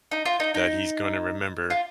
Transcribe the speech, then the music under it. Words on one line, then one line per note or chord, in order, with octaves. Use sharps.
that he's gonna remember
D#4
F4
D#4
D#4
F4